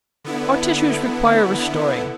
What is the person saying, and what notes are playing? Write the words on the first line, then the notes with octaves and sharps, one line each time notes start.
Our tissues require restoring.
D3 B3 E4